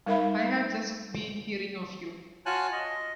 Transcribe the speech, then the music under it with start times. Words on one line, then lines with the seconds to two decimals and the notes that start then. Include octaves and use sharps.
I have just been hearing of you.
0.06 G3 D#4 A#4 E5 F5 B5
2.46 F4 F#4 C#5 G#5 A5 F#6
2.72 D#5